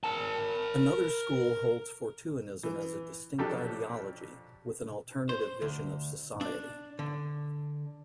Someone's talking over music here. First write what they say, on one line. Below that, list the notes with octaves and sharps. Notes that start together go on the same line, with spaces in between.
Another school holds Fortuynism as a distinct ideology, with an alternative vision of society.
A#4 A5
E3
F2 F3 F#3 D4 G4 A4
C5
D2
D4
D3